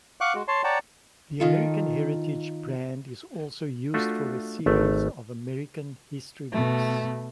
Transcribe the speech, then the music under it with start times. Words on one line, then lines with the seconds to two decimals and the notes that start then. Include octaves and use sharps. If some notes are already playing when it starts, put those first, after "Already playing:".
The "American Heritage" brand is also used for a series of American history books.
0.21 F5 F#5 C#6 D6 F#6
0.35 G#3 F#4
0.48 C#5 A5 C6
0.64 C#5 D5 F#5 G5 A5 A#5
1.40 D#3 F4 A4
3.94 A3 D4 F4 F#4 E5
4.66 G#1 A3
6.51 B2 A3